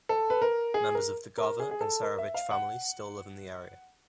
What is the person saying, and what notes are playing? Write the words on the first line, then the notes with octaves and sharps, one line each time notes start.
Members of the Gava and Serovich families still live in the area.
A4
B4
A#4
G#4
A#4
A#4
G#4
G#4
A4
A#4
E5
F5
F#5